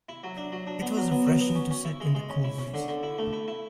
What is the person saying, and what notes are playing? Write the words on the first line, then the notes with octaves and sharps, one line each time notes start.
It was refreshing to sit in the cool breeze.
E4
F#3
D4
F#3
D4
B3
F#3
B3
F#3
B3
C#4
C#4
E4
G#3
G#3
C#4
E4
C#4
D3
D3
E4
A3
E4
E4